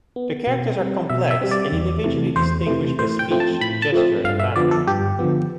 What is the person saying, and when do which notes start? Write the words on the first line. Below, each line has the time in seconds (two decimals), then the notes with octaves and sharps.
The characters are complex and individually distinguished by speech, gesture, and manner.
0.16 B3
0.47 B2
0.79 G3 C4
1.10 B2 E5
1.31 E5
1.41 G3 C4
1.51 D5
1.72 E2
2.04 C3 E3 A3
2.36 E2 C5
2.66 C3 E3 A3
2.99 A2 C5
3.19 G5
3.30 F3 A3 C4
3.40 A5
3.61 A2 B5
3.82 A5
3.92 F3 A3 C4
4.24 G2 F5
4.40 E5
4.56 D3 F3 B3 D5
4.71 A4
4.87 G2 G4
5.19 D3 F3 B3